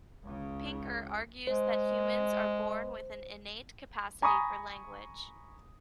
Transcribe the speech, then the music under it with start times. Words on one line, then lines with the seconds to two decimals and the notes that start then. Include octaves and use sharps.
Pinker argues that humans are born with an innate capacity for language.
0.23 C#2 C#3
1.47 G#3 C5
4.22 G#5 A#5 B5 C#6 D#6